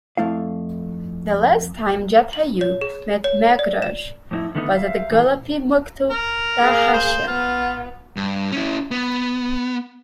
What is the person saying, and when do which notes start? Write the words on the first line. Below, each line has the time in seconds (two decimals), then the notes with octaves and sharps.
The last time Jatayu met Meghraj was at Golapi Mukto Rahashya.
0.17 F2 A3 E4 F5
2.33 F#7
2.61 C#5
2.81 G#4
3.24 C#5
3.59 D5
3.82 E7
4.31 F2 A2 C4 D#4 E4
4.55 D3 D#3 A3 B3 C4 D#4
4.75 C5 E5 F5
5.11 A#2 E3 G#4
6.10 A#4
6.61 A#3 G#4
6.94 C5
7.27 B3 F4
8.16 G2
8.52 C#4 E4
8.91 B3